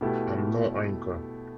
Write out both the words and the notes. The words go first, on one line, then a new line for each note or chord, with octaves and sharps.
I'm no oinker.
B2 A3 E4 G4